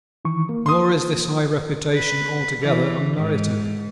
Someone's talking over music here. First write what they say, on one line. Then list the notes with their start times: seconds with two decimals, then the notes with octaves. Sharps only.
Nor is this high reputation altogether unmerited.
0.25 D#3 E3 C#6
0.49 A#3
0.66 C6 D#6
1.94 B4
2.62 E3
3.17 G#2